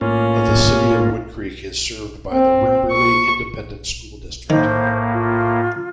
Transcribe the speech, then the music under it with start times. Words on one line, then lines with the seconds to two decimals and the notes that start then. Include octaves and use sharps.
The City of Woodcreek is served by the Wimberley Independent School District.
0.01 A2 A#3 C#4 F4
2.33 C4
2.91 C#6
4.50 A2 D#3 A#3 C5
5.13 F4